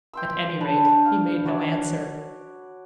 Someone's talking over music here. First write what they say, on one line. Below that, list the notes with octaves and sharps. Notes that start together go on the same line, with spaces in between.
At any rate, he made no answer.
G5 C6 E6
D4 B4 A5
F5
F#4 C#5 D5